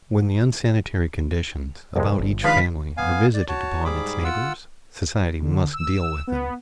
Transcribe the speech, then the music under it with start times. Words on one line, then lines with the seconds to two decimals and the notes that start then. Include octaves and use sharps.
When the unsanitary conditions about each family are visited upon its neighbors, society must deal with them.
1.96 C2 F2 G#3
2.19 G1
2.44 D#3 F3 G#3 D4 B4 F5 B6
2.97 B3 F5 G#5
3.34 D5
3.48 F#4 C#5 A5
3.85 G#2 G3 G#4 B5 D6
4.24 F4 F#5 E6
5.42 D3
5.73 E6
6.27 B3